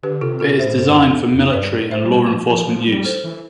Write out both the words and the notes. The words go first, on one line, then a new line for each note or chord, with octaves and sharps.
It is designed for military and law enforcement use.
D3 G4 B4
C3 F4 A4
B2 F4 A4
A2 C5 E5
G2 A4 C5
F2
F2
G2 B4 D5
G2
A2
C5 E5
G3
F3
F3
F3
G3
A4 C5
E3